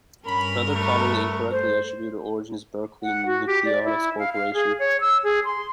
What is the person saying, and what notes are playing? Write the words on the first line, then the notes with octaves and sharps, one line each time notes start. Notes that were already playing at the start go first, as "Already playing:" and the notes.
Another common incorrectly attributed origin is Berkeley Nucleonics Corporation.
G2 C#4 A#4 B5
A3 B4 C#6
A3 C5
F#5
F#4
G4
D5
E4
F5
F5
G#4
C#5
E6
G#4
C6